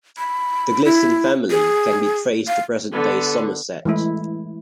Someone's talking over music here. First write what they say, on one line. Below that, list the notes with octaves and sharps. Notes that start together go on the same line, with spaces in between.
The Glisson family can be traced to present-day Somerset.
B5
E4
G#4
F5
D3 B3
E3 G#3 A3 E4